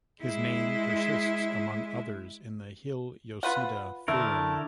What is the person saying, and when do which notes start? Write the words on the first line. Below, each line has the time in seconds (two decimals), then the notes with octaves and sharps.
His name persists among others in the Hille-Yosida theorem.
0.22 G#3 E4
3.43 F4 B4 F#5
4.08 D3 A3 E4 A#4